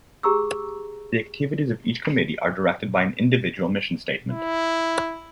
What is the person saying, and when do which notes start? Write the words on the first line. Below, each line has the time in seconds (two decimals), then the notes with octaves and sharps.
The activities of each Committee are directed by an individual mission statement.
0.23 G4 G#4 A#5 C#6 E6
4.32 E4